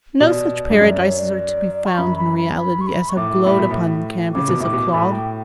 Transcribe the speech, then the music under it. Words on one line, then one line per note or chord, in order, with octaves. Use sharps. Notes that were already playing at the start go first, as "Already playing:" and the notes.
No such Paradises are to be found in reality as have glowed upon the canvass of Claude.
B2 D5
G2
F#2 D5
C#5
D5
C#6
F#2 B5
B5
B5
B5
C#6
B5
C#6
A2 D6
A2 B5
B2
A2
C#3 D6
B2
A2 D6
B2
A2 B5
G5